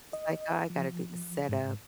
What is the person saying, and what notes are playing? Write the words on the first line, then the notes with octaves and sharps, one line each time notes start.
it's, like, I got to do the setup
D#5
F3
G#2